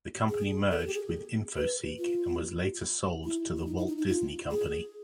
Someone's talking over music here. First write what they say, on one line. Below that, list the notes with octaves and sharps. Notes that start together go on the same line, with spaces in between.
The company merged with Infoseek and was later sold to The Walt Disney Company.
G#4
A4
G#4
G4
G#4
B4
F4
E4
E4
D#4
E4
D#4
D#4
F4
G#4